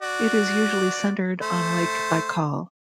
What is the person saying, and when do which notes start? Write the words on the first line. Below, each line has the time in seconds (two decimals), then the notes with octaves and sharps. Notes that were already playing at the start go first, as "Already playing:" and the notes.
It is usually centered on Lake Baikal.
0.02 F#4 D5
1.42 A3 C5